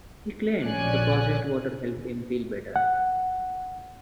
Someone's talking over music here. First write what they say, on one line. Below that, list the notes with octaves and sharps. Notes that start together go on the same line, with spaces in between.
He claimed the processed water helped him feel better.
A#1 F3 C#4 D5 G#5 F#6
F#5